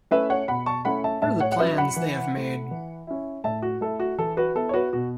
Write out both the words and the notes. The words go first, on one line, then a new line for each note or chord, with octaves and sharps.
What are the plans they have made?
A3 C#4 E4 B4 E5
C#5 F#5
B2 F#5 B5
A5 C#6
A3 C#4 E4 F#5 B5
E5 A5
A2 E5 A5
C#5 F#5
F#5
F#3 C#4 E4 B4 E5
F#5 B5
E3
A3 E4
E3
C#4 E4
A2 E5 A5
F#4
A3 E4 A4
F#4
E3 A4
F#4 B4
B3 E4 A4
C#5
F#4 B4
B2 F#4